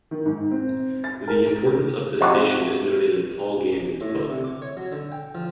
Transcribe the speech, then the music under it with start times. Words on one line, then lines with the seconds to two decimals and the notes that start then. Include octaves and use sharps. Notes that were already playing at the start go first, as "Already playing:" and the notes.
The importance of the station is noted in Paul Gannon's book.
0.11 D#3
0.26 G#2
0.51 C4
1.04 A6
1.28 A#4
2.21 F2 C3 F#4
4.01 A2
4.15 D3
4.30 C3
4.44 D6
4.62 C#5
4.77 F#3
4.92 D3
5.12 G5
5.35 F3